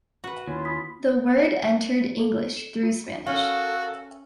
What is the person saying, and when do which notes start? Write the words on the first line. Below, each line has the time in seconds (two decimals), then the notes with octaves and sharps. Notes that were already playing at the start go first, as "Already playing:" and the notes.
The word entered English through Spanish.
0.24 F#4 B4
0.48 D#2 C#4 E4 F4
0.65 B5 D#6 B6
2.19 A4
2.57 E7
2.83 F4
3.27 C#4 F#4 A4 A#4 F5